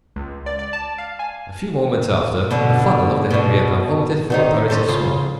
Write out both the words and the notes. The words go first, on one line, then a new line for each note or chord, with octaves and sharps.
A few moments after, the funnel of the Henrietta vomited forth torrents of smoke.
C#2
D5
D5
A5
F5
G#5
B2 D3
B2 D4
D3 D#3 D#4
C#4 A4 C5
C#3 F4